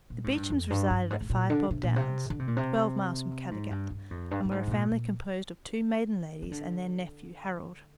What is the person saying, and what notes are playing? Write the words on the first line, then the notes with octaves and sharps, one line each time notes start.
The Beechams resided at Five-Bob Downs, twelve miles from Caddagat, and were a family composed of two maiden ladies and their nephew, Harold.
A#2
G#2
G2
F2
G2
G2
G#2
G#2
A#2
D3
C3
A#2
C3
D3
C3
A#2
C3
G#2
G2
G2
F2
G2
G2
G#2
C3
A#2
A#2
D#3
D3